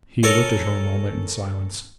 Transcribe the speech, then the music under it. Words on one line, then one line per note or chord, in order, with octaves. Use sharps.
He looked at her a moment in silence.
A4 A#4 C#5 G#5